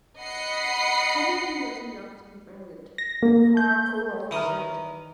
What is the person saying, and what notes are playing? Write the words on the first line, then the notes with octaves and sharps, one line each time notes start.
"I think we were too young to be married," Harkleroad said.
D#5 F#5 B5 C7 C#7
A#6
A#3
G6
D#3 E3 A#5 D#6 F6